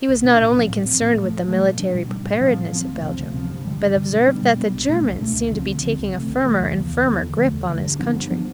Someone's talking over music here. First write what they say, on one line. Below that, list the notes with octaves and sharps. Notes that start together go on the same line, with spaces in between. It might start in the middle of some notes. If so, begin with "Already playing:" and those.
He was not only concerned with the military preparedness of Belgium, but observed that the Germans seemed to be taking a firmer and firmer grip on his country.
C2
B2 B3 D4
A2
F3 C4
A2
F3 C4
A2
F3 A3
A2
F3 A3
B2
G3 D4
B2
G3 D4
A2
F3 C4
A2
F3 C4
D2
C3 F3 C4
D2
C3 F3 C4
G2
D3 G3
G2
D3 G3
B2
G3 B3 D4
B2
G3 B3 D4
C2
B2 A3 D4
C2
B2 A3 D4
D2
D3 F3 C4
D2
D3 F3 C4
C2
C3 E3 A3
C2
C3 E3 A3
E2
D3 F3 B3
E2
D3 F3 B3
E2
D3 F3 A3
E2
D3 F3 A3
G2
F3 B3 D4
G2
F3 B3 D4